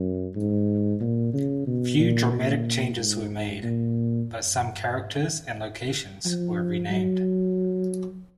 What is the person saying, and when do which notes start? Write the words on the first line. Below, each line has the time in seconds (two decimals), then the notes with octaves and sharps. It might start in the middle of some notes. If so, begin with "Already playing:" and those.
Few dramatic changes were made, but some characters and locations were renamed.
Already playing: F#2
0.35 G#2
1.00 A#2
1.33 C#3
1.66 B2
1.99 A#2
2.32 A#2
2.97 G#2
3.62 A#2
6.25 F3
6.90 F#3